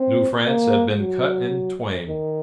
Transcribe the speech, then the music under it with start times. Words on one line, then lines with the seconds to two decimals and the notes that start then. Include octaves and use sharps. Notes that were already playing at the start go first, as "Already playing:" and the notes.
New France had been cut in twain.
Already playing: C4
0.45 A#3
1.00 F#3
2.08 D#3